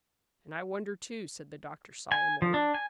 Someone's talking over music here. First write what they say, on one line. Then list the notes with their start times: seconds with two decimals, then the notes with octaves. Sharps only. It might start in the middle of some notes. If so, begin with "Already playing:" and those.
"And I wonder too," said the doctor solemnly.
2.12 G#5
2.42 F3
2.54 D4
2.75 G#5